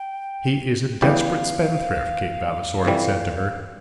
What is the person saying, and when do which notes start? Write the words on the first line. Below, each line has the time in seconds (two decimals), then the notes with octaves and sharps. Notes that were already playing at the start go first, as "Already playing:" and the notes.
"He is a desperate spendthrift," Kate Vavasor had said to her.
Already playing: G5
1.02 E2 E3 G3 C#4 G4 F5
2.85 F2 C3 E3 G3